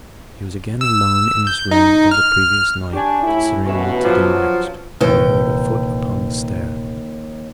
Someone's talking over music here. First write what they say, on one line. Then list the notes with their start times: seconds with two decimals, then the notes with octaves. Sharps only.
He was again alone in his room of the previous night, considering what to do next, when he heard a foot upon the stair.
0.81 E6
1.47 G6
1.71 D#4
2.11 F6
2.93 D4 G4 C#5 G#5
3.23 A2 E4
3.66 A1 B2 C#4 B4 E5
4.04 F3 F#3 D4
5.01 A#1 D#2 C3 E3 B4 G5